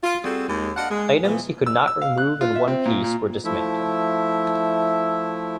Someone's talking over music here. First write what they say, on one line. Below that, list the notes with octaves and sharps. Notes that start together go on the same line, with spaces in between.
Items he could not remove in one piece were dismantled.
F4
G3 C4 F#4 G#4 A4
D#2 G#3
D4 D#5 F5 F#5
G#3
A#2 E3 F3 B3
E6
E6
F5
F#6
F4
E5
C4
A#2
A#2
F3 A3 E4 E5